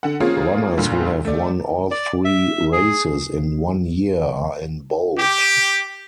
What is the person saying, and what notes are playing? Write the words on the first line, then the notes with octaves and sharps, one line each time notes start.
Runners who have won all three races in one year are in bold.
D3 F#5
F3 A#3 C4 C#4 F4 G#4
D2 G2 A#2
A3 D5
D5
E5
G#4
G4